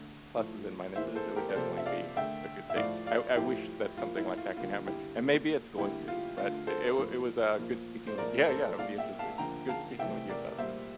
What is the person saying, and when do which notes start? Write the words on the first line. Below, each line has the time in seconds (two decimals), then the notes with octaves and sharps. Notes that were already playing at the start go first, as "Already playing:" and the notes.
pluses and minuses, it would definitely be a good thing. I I wish that something like that could happen, and maybe it's going to. But it it wa it was, uh, good speaking Yeah, yeah, it would be interesting. It's good speaking with you about this.
Already playing: D3 A3
0.35 A2 F3 A3
0.95 A2 E3 A#3 C5 E5
1.15 A4 C5
1.36 G4 A#4
1.49 D5
1.56 C3 F3 A#3 A4 C5
1.77 E5
1.86 D5 F5
2.16 D3 A3 E5 G5
2.70 E5
2.76 A2 F3 A3 D5 F5
3.06 D5 F5
3.36 A2 F3 A3 E4 G4
3.97 A2 F3 A#3 F4
4.17 E4
4.37 F4
4.57 D3 G3 A#3 F4
4.87 E4 G4
5.17 A#2 A3
5.77 D3 G3 A#3 E4 G4
6.08 F4
6.37 D3 A3 F4
6.67 A4 C5
6.98 A2 F3 A#3
7.58 A#2 F3 A#3
8.07 C5
8.18 A#2 F3 A3 A#4 D5
8.48 A4 C5
8.79 A#2 A3 D5 F5
8.98 E5 G5
9.19 F5 A5
9.38 D3 F3 A#3 G5 A#5
9.69 F5 A5
9.99 C3 E3 A3 E5 G5
10.29 A#4 D5
10.58 A#2 G3 A#3 C5 E5